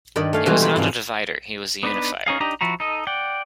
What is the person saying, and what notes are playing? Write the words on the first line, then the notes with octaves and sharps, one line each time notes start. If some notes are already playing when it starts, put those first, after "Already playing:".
He was not a divider; he was a unifier.
G2 D#3 D5 D#5 B5
A3 F5 G#5
B2 E3 G3 G#3 F4 F#4
B4 C5 D5 B5
G#2 C3 F3
B3 D4 D#4 B4
C#4 D#4 G#4 F5
D4 D#4 G4 D#5 A#5
F3 E4 F#4 A#5
D#4 A4 D#5
D5 F#5 G5